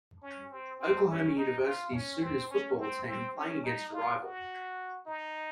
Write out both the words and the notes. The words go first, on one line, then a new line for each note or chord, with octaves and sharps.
Oklahoma University 's Sooners football team playing against a rival.
C#4
C4
C4
C#4
D#4
F4
C#4
C4
C#4
C4
C4
C#4
D#4
F4
F#4
D#4